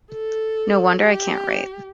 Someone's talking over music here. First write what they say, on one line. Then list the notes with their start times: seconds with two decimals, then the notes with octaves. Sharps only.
No wonder I can't write!
0.12 A4
1.00 G4